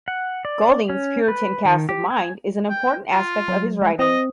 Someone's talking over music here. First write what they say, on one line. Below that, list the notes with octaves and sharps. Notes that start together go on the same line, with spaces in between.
Golding's "puritan cast of mind" is an important aspect of his writing.
F#5
D5
C#4
B4
D#3
G4
G#5
G5
F4
F#3
G#3
C4 C5 D#5 D#6